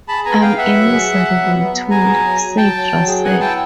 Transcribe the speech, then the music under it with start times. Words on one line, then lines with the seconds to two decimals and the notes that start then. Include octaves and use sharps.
"I'm a miserable tool," said Russell.
0.08 G#4 A5 B5
0.25 B3 G#5 A#5
0.41 B3 F5 G5
0.58 B3 E5 F#5
0.76 F#3
0.92 G#4
1.08 F#3
1.25 F#3
1.41 B3
1.58 B3
1.75 B3
1.91 G#4 G#5 A#5
2.08 F#3
2.24 F#3
2.41 F#3
2.57 F#3 G5 A5
2.75 F#3
2.91 F#3
3.08 G#4
3.24 B3 F#5 G#5
3.40 E4 G5 A5